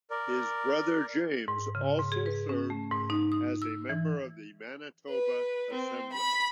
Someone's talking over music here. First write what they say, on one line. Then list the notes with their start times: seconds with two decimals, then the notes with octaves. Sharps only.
His brother James also served as a member of the Manitoba assembly.
0.10 A#4 D5
1.48 G#2
1.75 C#3
1.99 G#2
2.12 G#4
2.26 B4
2.49 C#4
2.70 A3
2.92 G#2
3.10 D#4
3.32 D#6
3.62 E6
3.89 E3
5.10 B4
5.73 C4
6.13 B5